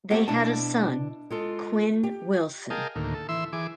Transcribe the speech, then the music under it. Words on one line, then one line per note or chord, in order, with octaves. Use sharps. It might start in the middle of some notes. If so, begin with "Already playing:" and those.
They had a son, Quinn Wilson.
A3 A#3 C4 F#4 G4 A4
B2 D4 E4 A5
G#3 F4 A4
G4
G#4 A#4 D#5 F5 G5 A5
D2 A2 D#3 A#3
A4
E3 E5 C6 E6
E3 G#4 D6